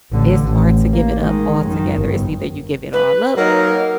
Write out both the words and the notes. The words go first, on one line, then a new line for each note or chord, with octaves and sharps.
it's hard to give it up altogether. It's either you give it all up,
A1 D3
A1
A#3
D#3 G#3
F#2 D#3
G1 G2
B4
F#3 A#3 D#4 A#4